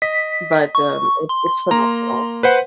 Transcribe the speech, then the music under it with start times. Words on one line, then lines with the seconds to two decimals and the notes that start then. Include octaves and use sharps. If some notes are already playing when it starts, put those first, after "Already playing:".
but, um, it it's phenomenal.
0.02 D#5 B6
0.75 C#6
1.29 C6
1.71 A#3 A#5
2.43 B4 C5 F#5